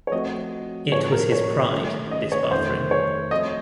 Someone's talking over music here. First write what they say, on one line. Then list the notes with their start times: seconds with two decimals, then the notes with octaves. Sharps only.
It was his pride, this bathroom.
0.07 C#5
0.12 F3 A3 C4 F#4 D#5
0.92 A2 F3 A#3 C#5
1.12 A#4
1.32 C#5
1.72 D#3 A3 C#4 F4
2.11 D#5
2.32 C#5
2.51 F2 D#3 A3 C5
2.91 C#5
3.31 F3 A3 C4 F#4 A4 D#5